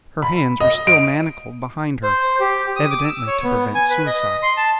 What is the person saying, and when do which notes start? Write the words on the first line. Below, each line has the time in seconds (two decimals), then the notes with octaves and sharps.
Her hands were still manacled behind her, evidently to prevent suicide.
0.22 B5
0.60 D#5
0.87 D7
2.03 C5
2.40 G4
2.76 D#6
2.91 D6
3.05 E6
3.27 C#5
3.43 B3
3.75 G#5
3.90 B4
4.07 D#5
4.43 C6
4.57 A5